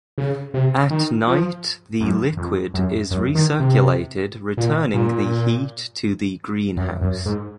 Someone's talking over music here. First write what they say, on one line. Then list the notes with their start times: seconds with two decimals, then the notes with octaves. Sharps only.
At night the liquid is recirculated returning the heat to the greenhouse.
0.18 C#3
0.54 C3
0.91 D#3
1.28 F3
2.00 F#2
2.37 F2
2.74 F#2
3.11 F#2
3.35 D#3
3.60 C3
4.57 A#2
4.94 A#2
6.77 F#2
7.01 F#2
7.26 G#2